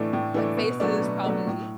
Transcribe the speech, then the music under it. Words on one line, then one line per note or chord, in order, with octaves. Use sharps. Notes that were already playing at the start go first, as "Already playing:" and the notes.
like faces probably
Already playing: A2 E3 A3 D4
A2
E3 A3 D4
B2
F#3 A3 D4
B2
F#3 A3 D4
A2